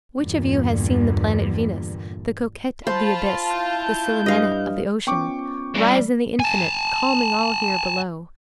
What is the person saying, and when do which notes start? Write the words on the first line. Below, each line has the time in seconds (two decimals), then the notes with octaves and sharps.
Which of you has seen the planet Venus, the coquette of the abyss, the Celimene of the ocean, rise in the infinite, calming all here below?
0.20 E2 G2 A#2 D3
2.87 F4 C5 A5 B5
3.55 E4 G6
4.26 G2 D#5 F5
5.07 B3 C#4 F4 G5 C#6 D6
5.75 E2 A#2 G3
6.40 G#5 A5